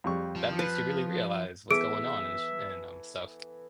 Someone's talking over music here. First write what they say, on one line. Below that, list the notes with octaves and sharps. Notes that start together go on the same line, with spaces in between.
that makes you really realize what's going on and sh and, um, stuff.
F2 G3 C#6
F3
B4
E3 B3 G#4 A4 E5 D7